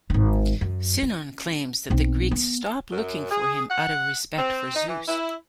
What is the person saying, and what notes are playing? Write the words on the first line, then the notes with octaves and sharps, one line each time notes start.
Sinon claims that the Greeks stopped looking for him out of respect for Zeus.
D#1 G#1
F#2
C#4
B1 C4
B3
F#2
G#4
F#5
C4
D#4
E3
E4